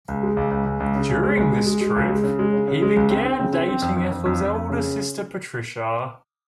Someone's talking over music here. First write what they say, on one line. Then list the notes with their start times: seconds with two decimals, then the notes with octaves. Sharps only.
During this trip, he began dating Ethel's elder sister, Patricia.
0.08 C#2
0.23 G#3
0.37 C#2
0.51 C#2
0.66 C#2
0.80 C#2
0.95 C#3
1.09 C#2
1.23 G#3
1.37 C#2
1.52 G#3
1.67 G#3
1.81 G#3
1.96 C#2
2.09 G#3
2.24 C#3
2.39 G#3
2.53 C#3
2.68 C#3
2.82 G#3
2.97 C#2
3.11 C4
3.25 C4
3.39 C#3
3.53 C4
3.68 C4
3.82 F2
3.97 F2
4.11 F2
4.26 F2
4.41 F2
4.55 F2
4.70 C#3